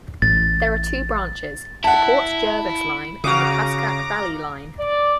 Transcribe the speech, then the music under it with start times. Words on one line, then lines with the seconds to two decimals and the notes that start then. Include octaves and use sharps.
There are two branches: the Port Jervis Line and the Pascack Valley Line.
0.22 A1 A2 A6
1.84 E4 F#5 A5
3.24 C#3 F#4 F5 A#5 D6 D#6
4.78 D5